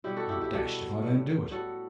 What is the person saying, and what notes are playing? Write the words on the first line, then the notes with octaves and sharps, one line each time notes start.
'I'm dashed if I don't do it.
B2 G3 B3 E4 G4
F#4 A4
E4 G4
E4 G4
B2 G3 B3 F#4 A4
A2 G3 B3
A2 G3 B3 F#4 A4